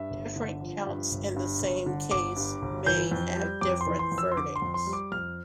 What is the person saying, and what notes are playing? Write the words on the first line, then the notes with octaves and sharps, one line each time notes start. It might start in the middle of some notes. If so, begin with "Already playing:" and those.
Different counts in the same case may have different verdicts.
Already playing: G2 E5
G1
D3
F3
G2
G1
G2
G1
D3
G1 D6
G2
G1
E3 G6
F2
G3
F2 D6
C6
E3
C6
F2
E6
C6
D3 D6
C6
F2
C6
G3
D6
F2 F6